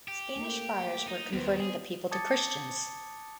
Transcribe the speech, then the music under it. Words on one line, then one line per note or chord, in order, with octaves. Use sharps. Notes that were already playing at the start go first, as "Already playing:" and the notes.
Spanish friars were converting the people to Christians.
G4
A3 A#3
D#4
D#2 B3 C5
G#4
A5 D6 D#6 G#6 A6 C#7